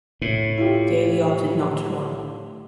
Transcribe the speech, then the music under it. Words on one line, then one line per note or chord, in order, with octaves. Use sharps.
Daley opted not to run.
A2
E4 F4 G4